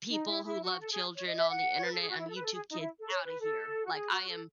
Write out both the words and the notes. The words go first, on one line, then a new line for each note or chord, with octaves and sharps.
people who love children on the internet and YouTube kids out of here, like, I am
D#4
E4
E4
F#4
A4
G#4
C#5
D#5
E5
F#5
C#5
B4
A4
G#4
F#4
E4
A4
B4
A4
G#4
D#4
E4
A4
C#5
B4
A4
F#4
G#4
F#4
A4